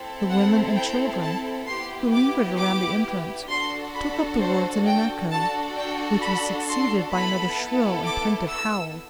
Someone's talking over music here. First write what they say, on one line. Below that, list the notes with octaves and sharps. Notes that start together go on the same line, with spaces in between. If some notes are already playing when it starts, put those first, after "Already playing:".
The women and children, who lingered around the entrance, took up the words in an echo, which was succeeded by another shrill and plaintive howl.
Already playing: C4 E4 A4
F#5
G5
A5
B3 E4 G4 C6
D6
D6
D4 F#4 A4 C6
B5
C5
G5
D4 F#4 A4 A5
G5
B5
C6
B3 E4 A4 B5
D6
E6